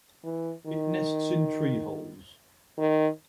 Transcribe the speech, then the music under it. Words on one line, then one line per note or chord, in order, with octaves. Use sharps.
It nests in tree holes.
E3
D#3
D#3